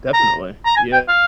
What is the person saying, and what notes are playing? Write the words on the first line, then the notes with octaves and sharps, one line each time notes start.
Definitely. Yeah,
A#5
A#5
G#5
G5
F5